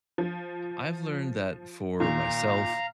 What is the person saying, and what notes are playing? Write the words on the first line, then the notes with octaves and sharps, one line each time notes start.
I've learned that for myself
F3
A#2 D#3 F5 A#5